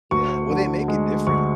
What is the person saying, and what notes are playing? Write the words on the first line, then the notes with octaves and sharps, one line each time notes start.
Yeah, well, they make it different.
D2 C#6
D3
G#3
D2 C#6